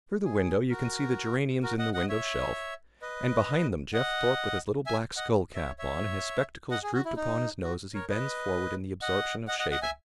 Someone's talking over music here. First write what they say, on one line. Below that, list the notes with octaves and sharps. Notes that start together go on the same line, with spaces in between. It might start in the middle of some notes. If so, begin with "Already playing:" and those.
Through the window you can see the geraniums in the window shelf and behind them Jeff Thorpe with his little black scull cap on and his spectacles drooped upon his nose as he bends forward in the absorption of shaving.
G#4
F#4 A#4
F#4 A#4
D#5 F#5
D#5 F#5
C#5 E5
B4 D#5
D#5 F#5
E5 G#5
D#5 F#5
C#5 E5
C#5 E5
D#5 F#5
G#4
F#4
E4
D#4
F#4
A#4 C#5
B4 D#5
D#5 F#5
D#5 F#5
D#5 F#5
D#5 F#5
E5 G#5